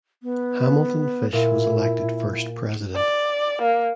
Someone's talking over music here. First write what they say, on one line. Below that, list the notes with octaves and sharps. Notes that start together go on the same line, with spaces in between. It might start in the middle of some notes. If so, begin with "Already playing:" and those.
Hamilton Fish was elected first president.
B3
A#2 E4
D5
A#3